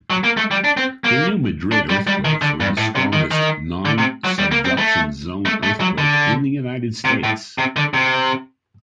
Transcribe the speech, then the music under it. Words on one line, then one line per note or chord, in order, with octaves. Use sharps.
The New Madrid earthquakes were the strongest non-subduction zone earthquake in the United States.
F#3
A#3
A3
G3
D4
C4
A#3
D4
G3
G3
D#3
D3
G2
A2
C3
D#3
D#3
D3
C3
F#3
G3
A#3
C4
A3
A3
A3
F#3
D3
C3
A2
C3
D3
C3